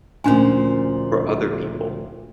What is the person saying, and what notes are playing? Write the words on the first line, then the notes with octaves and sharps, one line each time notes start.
for other people,
D2 A#2 F3 C#4 D4 G#5